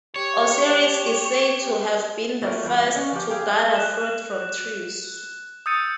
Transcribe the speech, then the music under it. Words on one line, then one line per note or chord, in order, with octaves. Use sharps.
Osiris is said to have been the first to gather fruit from trees.
G4 C#5
F#3 A3 A#3 F4
E2 E3 G3 F4
C#4 B4 C#5 D5 F5
F3 G4
G4 G#4 F5 G5
F#6 E7
D#6 E6 G6 A6 C#7 D#7